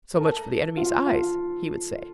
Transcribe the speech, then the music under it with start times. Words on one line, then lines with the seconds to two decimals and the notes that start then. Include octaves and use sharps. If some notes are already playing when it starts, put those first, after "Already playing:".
So much for the enemy's eyes, he would say.
0.14 A#4
0.20 A4
0.77 F4
1.06 F4